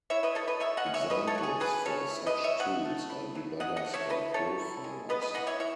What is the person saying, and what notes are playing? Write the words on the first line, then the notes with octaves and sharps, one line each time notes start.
Examples for such tools are debuggers or profilers.
E4 C#5 E5
B4 D#5
B2 A4 C#5
B4 D#5
F#3 C#5 E5
D#5 F#5
C#4
C#5 E5
E4 B4 D#5
A4 C#5
F#3 F#4
G#4
F#3 G#4 B4
C#4 A4 C#5
E4
B4 D#5
F#3
C#5 E5
F#3 D#5 F#5
A3
E4
F#3
F#3 D#5 F#5
D#5 F#5
A3
C#5 E5
E4 B4 D#5
F#3 A4 C#5
E4
G#3
B3 B4 D#5
B4 D#5
E3 D#5 F#5
C#5 E5
E4 C#5 E5